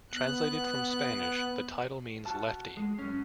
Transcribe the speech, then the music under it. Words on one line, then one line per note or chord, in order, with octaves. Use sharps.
Translated from Spanish, the title means Lefty.
B3 F#6
F#4 A5
G#3
F#2 C#4